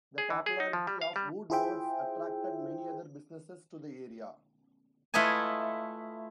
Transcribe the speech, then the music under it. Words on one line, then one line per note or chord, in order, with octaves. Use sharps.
The popularity of Woodward's attracted many other businesses to the area.
G#4
E3
G#4
D#4
F3
G3
F5
G3
E4 F4 G#4 C5 E5 G5
A3 E4 F4 B4 D#5 G#5